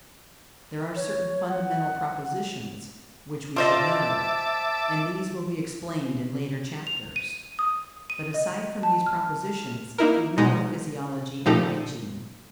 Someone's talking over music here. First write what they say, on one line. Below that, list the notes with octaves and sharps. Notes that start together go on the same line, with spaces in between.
There are certain fundamental propositions which we should know; and these will be explained in later chapters, but aside from these propositions, ignore physiology and hygiene.
C#5
F#5
F4 C5 D#5 E5 A5 D6
F7
D#7
D#6
D#7
D#5
A5
F6
A#3 D#4 E4 A#4
B2 G#3 D#4
A#2 F3 A3 D#4 G4 A4